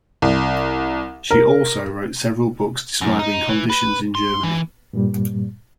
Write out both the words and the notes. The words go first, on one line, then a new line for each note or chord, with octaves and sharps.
She also wrote several books describing conditions in Germany.
C2
A#4
F#2
D#4
E3
B4
C6
E3
G2 A#2 G3